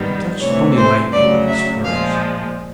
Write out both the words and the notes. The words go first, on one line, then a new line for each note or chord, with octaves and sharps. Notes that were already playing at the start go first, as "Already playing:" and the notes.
He touched the pony lightly with his spurs.
Already playing: G#2 D#3 G3 B3
D2 C3 E3 C#5
C5
D2 C#3 F#3 D5
E5
A#2 F3 G#3 F5